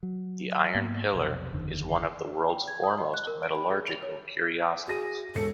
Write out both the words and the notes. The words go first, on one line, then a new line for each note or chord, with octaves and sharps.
The iron pillar is one of the world's foremost metallurgical curiosities.
F#3
G#2 A#3 B3
B1 F2 C3
F#1 E2 D3 D#3
G5
G#6
D#6
D#5
F#6
A#4
D7
B5
G#4
F7
C#5
F#4 G#4 A#6 D#7
E1 A4 C#7